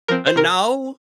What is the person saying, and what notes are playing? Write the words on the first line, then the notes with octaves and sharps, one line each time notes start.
"And now
F3 C4 A#4
C5
C3 A#4